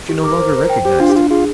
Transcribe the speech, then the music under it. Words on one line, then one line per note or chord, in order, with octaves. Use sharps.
She no longer recognized it.
G4
A#4 D6
C5
C5
G5
G4 C5
D4 F4
G4
D4 F4
F4 G#4